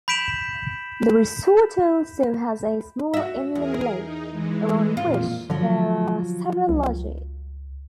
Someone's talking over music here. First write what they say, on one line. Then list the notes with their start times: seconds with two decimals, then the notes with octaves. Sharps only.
The resort also has a small inland lake, around which there are several lodges.
0.08 B5 G6 B6 D7 E7 F#7
3.14 F#4 E5
3.55 E2 G#4 A#4
3.98 D#4
4.31 E3 G#3
4.97 F2 A#2 F4
5.50 D3 F3 F#3
6.69 C#2